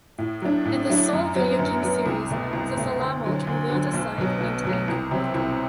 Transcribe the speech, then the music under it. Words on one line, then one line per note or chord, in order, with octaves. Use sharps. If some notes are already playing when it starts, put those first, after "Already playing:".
In the "Soul" video game series, Zasalamel can wield a Scythe named Ankou.
A2
F#3 A3 D4
A2
F#3 A3 D4
F#2
F#3 B3
F#2
F#3 B3
C2
B2 A3
C2
B2 A3
D2
D3 F#3
D2
D3 F#3
B1
B2 F#3
B1
B2 F#3
C2
C3 F#3
C2